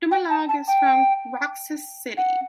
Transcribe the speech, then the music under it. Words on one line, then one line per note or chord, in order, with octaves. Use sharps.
Dumalag is from Roxas City.
G5
A5
A5
G5
F#5